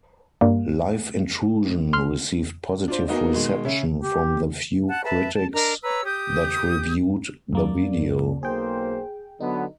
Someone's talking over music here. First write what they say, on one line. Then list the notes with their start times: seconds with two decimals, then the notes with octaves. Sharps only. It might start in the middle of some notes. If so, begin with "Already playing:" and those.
"Live Intrusion" received positive reception from the few critics that reviewed the video.
0.41 G2 G3 A#3
1.93 C6 F6
2.88 D4 F4 C5
3.08 A#3 B3 D#4 F#4 A#4 D#5
3.34 B2 D#3 G#3
3.65 C#3 E5
4.01 G4
4.88 F#5 A5 F#6
5.05 B4 E5 A5
5.34 A5
5.53 D4 A#4 D#5 A#5
5.83 B4 C#5 A#5 E6
6.05 G4 D#6 G6
7.53 F#2 A#3 D5
8.43 B1 A#3 G#4 C5 G5
9.41 D3 F#3 B3 D#4